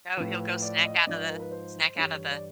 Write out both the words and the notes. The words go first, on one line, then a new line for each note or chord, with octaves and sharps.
Oh, he'll go snack out of the snack out of the
A2 F3 B4
D5
D#5
G#2 F3 D5
B4
A#4
B4
C5
G2 E3 G3 C#5
D5